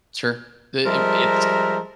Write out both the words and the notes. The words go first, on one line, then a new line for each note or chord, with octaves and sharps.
Sure, it it it's,
F3 G3 G#3 A#4 E5 A#5